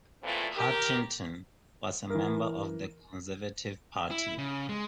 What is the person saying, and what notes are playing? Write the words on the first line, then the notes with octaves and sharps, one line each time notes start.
Hartington was a member of the Conservative Party.
F#2 A#2 E3 A3 C4 F4
D#3 G4 A#4
E3 A#4
E4
C#3
G#3